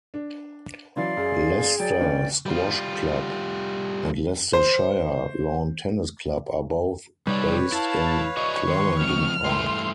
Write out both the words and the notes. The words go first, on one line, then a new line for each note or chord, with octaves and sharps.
Leicester Squash Club and Leicestershire Lawn Tennis Club are both based in Clarendon Park.
D4
E3 F#3 C#4 D5 F5 C6
F#2 G#4
F#3 D5 G5
D3 A#3 C#4 B4
G3 F4
C5
C3 G3 D#4 B4 C#5 D5
E4 F5 A5
F#4 D5 D#5 C#6
D#3 C6
F3 B3 C4 F6
G2 E3 A3 C6